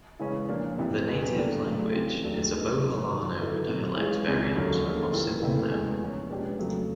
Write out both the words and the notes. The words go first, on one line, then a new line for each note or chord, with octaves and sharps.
The native language is a Boholano dialect variant of Cebuano.
C#3 E3 G#3 C#4
A#2 F3 A#3 D4
C3 E3 G3 B3
E2 B2 G3 B3
D3 G3 A#3 D4
C#3 F#3 A3
E3 G3 C4 F4
D#2 D#3 F#3 A3 D4
D#3 G3 B3 D#4 G#4
D#3 F#3 B3 E4
G2 D#3 F#3
D3 F#3 B3 E4
C3 D#3 F#3
E3 G#3 C#4 F4 G#4
C#2 C3 D#3 G#3
D#2 D3 F#3 A#3 C#4
D3 F3 A#3 D#4 G#4
E3 G3 A#3
D2 C#3 E3 A3 C4
E2 B2 G#3 B3
A#2 F3 A#3 C#4
B2 G#3 B3 D4 G4
F2 C#3 F#3 A3